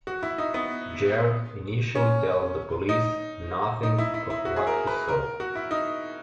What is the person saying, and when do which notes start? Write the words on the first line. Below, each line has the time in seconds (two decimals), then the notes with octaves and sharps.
Jared initially tells the police nothing of what he saw.
0.07 F#4
0.23 E4
0.38 D#4
0.54 B3
1.95 C#4
2.89 D#4
3.83 D#4
3.98 E4
4.14 E4
4.30 E4
4.45 F#4
4.56 G#4
4.67 A#4
4.87 B4
5.08 A#4
5.40 F#4
5.55 E4
5.71 D#4